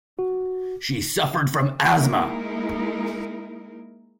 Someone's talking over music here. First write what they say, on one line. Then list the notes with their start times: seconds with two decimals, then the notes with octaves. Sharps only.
She suffered from asthma.
0.19 F#4
1.97 G#3 A#3 D#4 E4 A#4